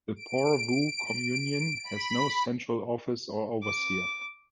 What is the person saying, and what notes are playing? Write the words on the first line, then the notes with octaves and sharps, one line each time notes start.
The Porvoo Communion has no central office or overseer.
D7
B5
D6